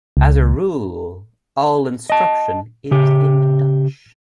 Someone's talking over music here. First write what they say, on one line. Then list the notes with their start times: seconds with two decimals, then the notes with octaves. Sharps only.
As a rule, all instruction is in Dutch.
0.17 C#2
2.10 D#5 A5
2.91 C#3 G4